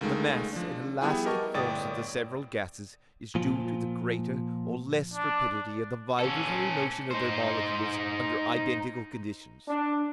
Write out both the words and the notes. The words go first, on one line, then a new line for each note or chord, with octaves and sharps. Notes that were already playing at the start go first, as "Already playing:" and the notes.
The mass and elastic force of the several gases is due to the greater or less rapidity of the vibratory motion of their molecules under identical conditions.
C#2 D#3 G#3 A3
F3 D4
G3 B3 E4 G#4 G5
G4 A#4 D#5 A5 C#6
G1 A2 D5 G5 D#6 A6
A#2 F3
D4
C#4 A4
D#4 C5
D4